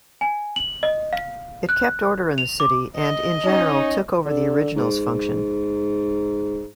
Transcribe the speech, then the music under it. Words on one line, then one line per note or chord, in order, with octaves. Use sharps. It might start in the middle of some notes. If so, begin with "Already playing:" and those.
It kept order in the city and in general took over the original's function.
G#5
F#7
D#5
F5
F#6
F7
D6
D#5
C#4 D#4
D3
G#2